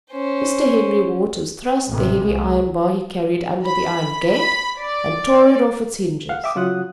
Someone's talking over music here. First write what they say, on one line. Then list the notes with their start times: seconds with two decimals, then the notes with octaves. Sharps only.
Mr. Henry Waters thrust the heavy iron bar he carried under the iron gate, and tore it off its hinges.
0.11 C#4 C5
1.88 A1 C3
2.24 C2 G#3
3.67 B5
4.32 B5
4.79 D5
6.29 F5 F#5
6.44 E5 G5 D6 D#6
6.55 C#3 F#3 F4 F#5 D#6 F#6